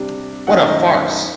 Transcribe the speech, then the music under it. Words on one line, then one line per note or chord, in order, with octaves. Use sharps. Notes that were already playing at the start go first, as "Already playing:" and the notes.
What a farce!
Already playing: C3 G3 D4
F#2 D#3 A3 F#5
D#5